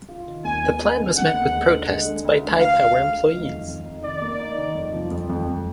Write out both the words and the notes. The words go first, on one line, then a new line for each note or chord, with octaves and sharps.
The plan was met with protests by Taipower employees.
F4
D#3
D#2 G#5
B3
G#3
D3
B3 F#5
D#2
G#3
D3
G#3
D3
D2
D3
D2 F5
G#3
D2
D2
D#3
F2
F2
D#4
D#3 D5
A#3
D#4
D#3
F2
F3
F2
F2
F2